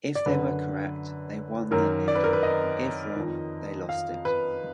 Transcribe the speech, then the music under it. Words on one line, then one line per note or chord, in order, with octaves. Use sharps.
If they were correct, they won their bid; if wrong, they lost it.
D5
F#2 D3 B4
F#2 D#3 A#4
D5
B4
A#4
B4
D#5
F2 D#3
F5
B4